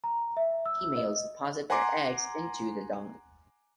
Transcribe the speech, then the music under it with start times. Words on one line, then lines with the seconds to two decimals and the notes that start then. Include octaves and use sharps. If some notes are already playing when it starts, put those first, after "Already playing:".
Females deposit their eggs into the dung.
0.04 A#5
0.37 E5
0.66 E6
0.97 D#5
1.70 F#5 G#5 A#5 C6 D6